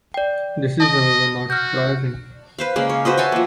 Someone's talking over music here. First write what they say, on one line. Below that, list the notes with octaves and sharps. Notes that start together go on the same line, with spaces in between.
This is, however, not surprising.
D5 G5
D#5 A5 D#6
F#4 F6 G6
B4 C5 F5
C#3 G#3 A#3
C#5
F#4 B4 C5 D#5
C#5 E5 G#5 A5
F3 A#3